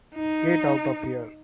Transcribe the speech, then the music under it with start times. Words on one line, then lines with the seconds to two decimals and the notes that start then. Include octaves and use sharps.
Get out of here.
0.15 D#4